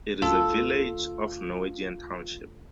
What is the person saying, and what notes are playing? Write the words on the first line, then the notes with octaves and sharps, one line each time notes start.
It is a village of Norwegian Township.
D2 F4 A4